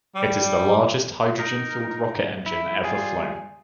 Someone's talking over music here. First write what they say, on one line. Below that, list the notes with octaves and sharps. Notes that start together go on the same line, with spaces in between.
It is the largest hydrogen-fueled rocket engine ever flown.
G3
D#4 A#4
E4
G3 F4 G#4